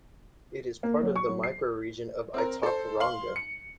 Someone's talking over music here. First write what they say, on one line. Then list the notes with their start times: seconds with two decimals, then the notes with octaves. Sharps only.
It is part of the microregion of Itaporanga.
0.83 A#3
1.03 F#3
1.16 C#6
1.29 F#3
1.44 C7
2.34 C4 A#4
2.63 A4 C5
3.00 F5 C6 F#7
3.36 C#7